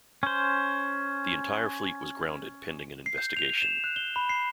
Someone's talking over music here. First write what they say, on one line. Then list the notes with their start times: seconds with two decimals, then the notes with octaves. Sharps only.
The entire fleet was grounded pending an investigation.
0.23 C#4 C5
3.06 C7
3.18 G6
3.37 F7
3.62 E7
3.84 F#6
3.96 G7
4.16 B5
4.29 C7